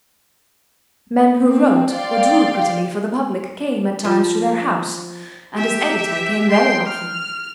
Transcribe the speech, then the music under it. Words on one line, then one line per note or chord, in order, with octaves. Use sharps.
Men who wrote or drew prettily for the public came at times to their house, and his editor came very often.
C4
D5 F5 G5 C6
F3
G4 E5
G5 C6
F6